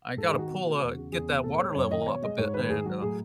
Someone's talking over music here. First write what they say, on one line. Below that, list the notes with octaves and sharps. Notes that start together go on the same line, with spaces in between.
I got to pull, uh get that water level up a bit, and, uh,
G#2 A4
G#4
D#3 F#4
B2
A3
E2
C#3
E2 G#4
B2
A2 A4
G#3 C#5
F#2 C#5
D#3 D#5
B2 C#5
G#3 D#5
G#2 C#5
D#3 B4
G#2 G#4
F#3 F#4
A2 G#4